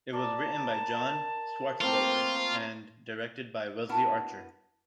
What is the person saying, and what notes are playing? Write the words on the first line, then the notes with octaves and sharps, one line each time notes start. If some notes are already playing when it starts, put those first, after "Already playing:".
It was written by John Swartzwelder and directed by Wesley Archer.
A#4 D5 A5
A3 A#3 C4 F4
B3 D4 E4 F#4 A#4 A5